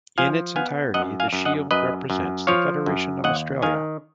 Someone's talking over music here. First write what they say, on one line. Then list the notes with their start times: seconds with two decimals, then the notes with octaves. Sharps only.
In its entirety the shield represents the federation of Australia.
0.18 F3 F5 G#5
0.56 B3 F5 G#5
0.94 F#2 D#5 F#5
1.20 F5 G#5
1.33 F#2
1.45 D#5 F#5
1.71 F#2 B4 D#5
2.10 F#2
2.47 F3 C#5 F5
2.86 F#2
3.24 D#2 D#5 F#5
3.62 D#3 F5 G#5